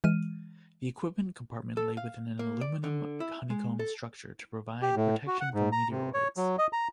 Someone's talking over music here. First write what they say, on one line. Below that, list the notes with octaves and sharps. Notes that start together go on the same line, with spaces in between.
The equipment compartment lay within an aluminum honeycomb structure to provide protection from meteoroids.
E3 G#3 F6 D#7
A4
F5
A#3
D5
D3
E4
G#3
A4
G4
A2
F#4
F#5
G#2
A#5
C3
C#5
F#3
D#5
A#5